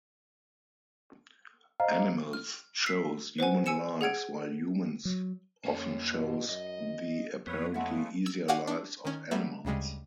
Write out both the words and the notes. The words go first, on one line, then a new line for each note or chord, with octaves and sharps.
Animals chose human lives while humans often chose the apparently easier lives of animals.
C5 D#5 F5 A#5
F6
E6 B6 C7
B4 C5 F#5 G#5
G#5 E6 C#7 E7
G#4 F#5 G#6 D7
F#3
A#3 C#4 C#5
B2
F#2 D#5
F2 B3 B4 C#5
C#3 G#3 A3 E4 F#4
E6
F#4 G4 D5 F5 F#5 G#5
D4
D#3 C#4
F#3 G3 A3 B3 E5
D2 C#3 G3 G#3